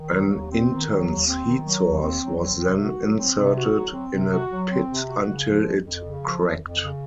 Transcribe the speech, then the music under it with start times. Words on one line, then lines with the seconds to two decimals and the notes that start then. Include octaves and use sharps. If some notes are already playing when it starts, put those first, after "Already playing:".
An intense heat source was then inserted in a pit until it cracked.
Already playing: D#3
0.12 F#3
0.31 D#2
0.51 C4
0.70 D#3
0.89 F#3
1.08 D#2
1.26 C4
1.46 D#3
1.65 F#3
1.84 D#2
2.02 C4
2.22 F#3
2.41 C4
2.60 C3
2.79 F#4
2.98 F#3
3.17 C4
3.36 C3
3.55 F#4
3.74 F#3
3.93 C4
4.12 C3
4.32 F#4
4.51 F#3
4.69 C4
4.88 C3
5.07 F#4
5.27 C#3
5.45 F3
5.65 F2
5.83 F2
6.03 C#3
6.22 F3
6.41 F2
6.60 F2
6.79 C#3